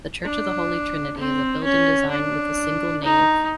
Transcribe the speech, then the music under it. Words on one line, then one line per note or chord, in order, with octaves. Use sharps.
The church of the Holy Trinity is a building design with a single nave.
D4
C4
C#4
D4
D#4